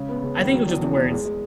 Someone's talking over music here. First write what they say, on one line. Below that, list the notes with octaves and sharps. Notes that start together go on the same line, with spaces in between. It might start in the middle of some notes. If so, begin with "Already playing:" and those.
I think it was just the words.
Already playing: C#3 G#3
B3
C#3
D#2
F#3
E2
E2
E2
G#3
G#3